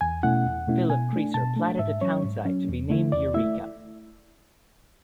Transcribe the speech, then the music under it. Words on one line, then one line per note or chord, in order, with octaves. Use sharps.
Philip Creasor platted a townsite to be named Eureka.
E2 G#5
B2 A3 C#4 E4 F#5
E2
B2 A3 C#4 E4
B2 G#5
A3 D4
B2 A5
A3 D4
G#2 E5
F#3 C#4 C#5
G#2
F#3 C#4
E2
D3 A3 E4
E2 D5
A3 E4 E5